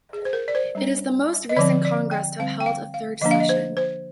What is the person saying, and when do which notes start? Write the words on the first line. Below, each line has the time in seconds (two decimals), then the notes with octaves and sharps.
It is the most recent Congress to have held a third session.
0.13 G#4
0.25 C5
0.33 A#4
0.48 D5
0.55 C5
0.75 G3 D4
1.49 D#5
1.57 D3 F3 C4 D5
1.85 D5
2.11 G5
2.39 D3 G3 C4 F5
2.60 G5
2.66 F5
2.94 F5
3.21 D3 F3 A#3 D4 D#5
3.31 F5
3.40 D#5
3.49 C5
3.77 C5